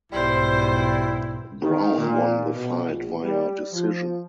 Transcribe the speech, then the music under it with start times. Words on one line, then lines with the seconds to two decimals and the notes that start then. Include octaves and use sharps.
Brown won the fight via decision.
0.12 B1 G#2 G3 E4 C5
1.62 D#3
1.95 A#2
2.53 B2
2.88 A#1
3.23 G3
3.72 F3